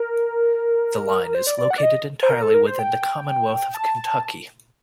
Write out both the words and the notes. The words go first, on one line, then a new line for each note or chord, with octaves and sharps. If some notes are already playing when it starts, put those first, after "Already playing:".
The line is located entirely within the Commonwealth of Kentucky.
Already playing: A#4
C5
D5
D5
F#5
D5
D#5
C5
A#4
A4
A#4
C5
G5
A5